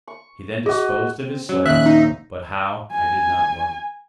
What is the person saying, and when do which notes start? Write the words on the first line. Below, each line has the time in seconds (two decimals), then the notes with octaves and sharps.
He then disposed of his slaves, but how I did not learn.
0.07 C#6
0.66 F#4 G#4 D#5
1.20 C4
1.49 F#3 C#4
1.66 A#1 D#2 E5 F#6
1.86 D#4
2.91 G#5